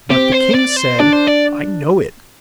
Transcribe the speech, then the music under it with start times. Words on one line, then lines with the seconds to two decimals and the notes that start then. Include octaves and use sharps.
But the king said, 'I know it.
0.10 C4 G4
0.32 C5
0.54 D5
0.76 C5
0.99 D4 D5
1.13 C5
1.27 D5